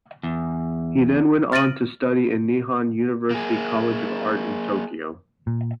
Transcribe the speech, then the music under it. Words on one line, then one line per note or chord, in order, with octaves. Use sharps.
He then went on to study in Nihon University College of Art in Tokyo.
E2
F6 A6 A#6 D7 D#7 F#7
A#3 G#4
A#2